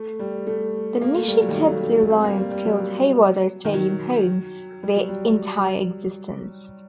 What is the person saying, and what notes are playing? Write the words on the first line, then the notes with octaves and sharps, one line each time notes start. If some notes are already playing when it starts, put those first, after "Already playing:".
The Nishitetsu Lions called Heiwadai Stadium home for their entire existence.
Already playing: A3
G3
A3
A#3
A3
G3
F#3
D#3
F#3
A3
G3
A3
A3
C4
A#3
G3
G3
F#3
D#3
F#3
G3
F#3
G3